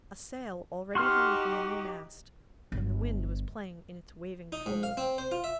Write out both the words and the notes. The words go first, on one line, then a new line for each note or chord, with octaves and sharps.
A sail already hung from the new mast, and the wind was playing in its waving folds.
D#4 F#4 G4 C6 F6
G1
D#4
G#2
F5
C4
C5
F4
E5